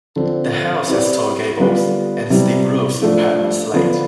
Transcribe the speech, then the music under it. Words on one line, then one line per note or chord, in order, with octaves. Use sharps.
The house has tall gables, and steep roofs in patterned slate.
D3 F3 C4
C4 E4 G4 B4 D5
D3 G3 B3 F4 B4
C3 G3 B3 E4
F3 A3 D4
D3 F3 B3